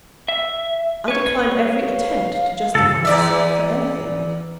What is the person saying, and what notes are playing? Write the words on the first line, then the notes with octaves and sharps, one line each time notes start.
I decline every attempt to justify myself for anything.
E5
B4 C#5
F5
C#2 G2 A4
E2 D5 E5